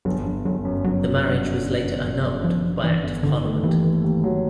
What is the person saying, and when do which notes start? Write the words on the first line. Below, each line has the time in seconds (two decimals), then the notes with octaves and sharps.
The marriage was later annulled by Act of Parliament.
0.05 G1 F#3
0.26 G1
0.45 G1 F#3
0.65 F#2
0.84 G1 F#3
1.05 F#2
1.25 D3
1.45 F#2
1.65 D3
1.84 G1
2.05 F#2
2.25 F#2
2.44 G1 F3
2.64 G1
2.84 D3 E3
3.03 G1
3.23 D3 D#3
3.44 A3
3.63 D#2 E3
3.83 A3
4.04 D#2
4.24 F#3